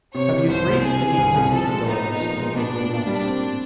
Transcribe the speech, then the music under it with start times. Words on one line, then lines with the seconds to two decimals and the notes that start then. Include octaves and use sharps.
"Have you greased the hinges of the door so that they will not squeak?"
0.14 C3 C#5
0.31 E3
0.48 C2 C5
0.66 C2
0.82 C3 G#4
1.00 E3
1.18 C2
1.34 C2
1.51 F3 A4
1.69 G#3
1.86 B3 D#4
2.04 A#2
2.20 F3
2.37 G#3
2.55 B3 D4
2.73 A#2
2.89 A#2
3.07 G3
3.24 C4